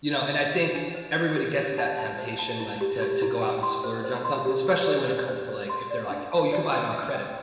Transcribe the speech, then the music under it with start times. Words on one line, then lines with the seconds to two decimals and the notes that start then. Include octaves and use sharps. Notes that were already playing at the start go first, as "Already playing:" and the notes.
You know, and I think everybody gets that temptation, like, to to go out and splurge on something, especially when it comes to, like if they're, like, "Oh, you can buy it on credit."
0.13 E5
0.33 E5
0.54 C5
0.75 D4
0.95 C5
1.16 C5
1.36 G4
1.57 G4
1.78 A5
1.99 A5
2.18 C5
2.39 A5
2.60 E4
2.81 G4
3.02 G4
3.22 E4
3.42 G5
3.63 C6
3.84 C5
4.04 C5
4.24 C6
4.46 G4
4.67 G4
4.87 D5
5.08 C5
5.28 C5
5.49 C5
5.69 C6
5.90 D5
6.10 D4
6.32 A5
6.52 D5
6.72 C6
6.93 E5
7.14 G5